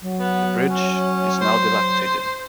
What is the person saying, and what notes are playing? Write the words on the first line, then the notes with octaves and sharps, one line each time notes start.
The bridge is now dilapidated.
F#3
B3
C#4
C5